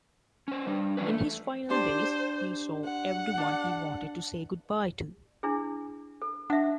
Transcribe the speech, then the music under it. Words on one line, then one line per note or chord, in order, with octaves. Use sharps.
In his final days he saw everyone he wanted to say good-bye to.
C#4 C5
G3 D4
E3 F3 C#4 D4 B4
A3
D4 G4 C5 C6
F#5
D4
D4 E4 G#4
A4
D4 E5 F#5